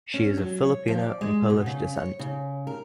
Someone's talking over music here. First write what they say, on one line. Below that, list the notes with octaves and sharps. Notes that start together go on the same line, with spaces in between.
She is of Filipino and Polish descent.
C#4
F#3
C#5
F3
D5
G#3
B2
C#3
C#5
C#3
A#4